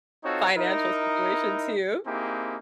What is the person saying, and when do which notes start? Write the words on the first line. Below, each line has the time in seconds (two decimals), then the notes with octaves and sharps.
financial situation, too.
0.24 C4 D#4 F4 F#4 A4 C#5
0.57 D#4 E4 A#4
2.06 A#3 C4 D#4 E4 G4 G#4